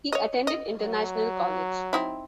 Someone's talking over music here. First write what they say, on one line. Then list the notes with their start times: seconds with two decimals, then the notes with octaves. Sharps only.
He attended International College.
0.13 C#5 D#5
0.47 D#5
0.81 F#3
1.93 C4 D#4 E4